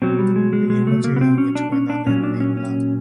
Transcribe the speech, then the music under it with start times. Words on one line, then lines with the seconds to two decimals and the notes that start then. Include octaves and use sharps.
The new material which went under the name Lap.
0.02 B2 F#3 C4
0.19 G3
0.36 G#3
0.53 G#3
0.70 G#3
0.87 A3
1.04 A#3
1.16 B3
1.21 C4
1.38 C#4
1.55 D4
1.72 C#4
1.90 D4
2.07 A#2 F#3 C#4
2.23 D4
2.40 C#4
2.57 C#4